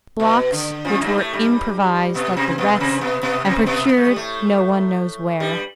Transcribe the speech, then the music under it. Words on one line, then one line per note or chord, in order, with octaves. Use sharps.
Blocks which were improvised like the rest and procured no one knows where.
B2
D3
F2 F3
G2 G3
A2 A3
G2 G3
B2 B3
C3 C4
B2 B3
C3 C4
B2 B3
B2 B3
C3 C4
B2 B3
B3
A3
G3
A2 A3
G2 G3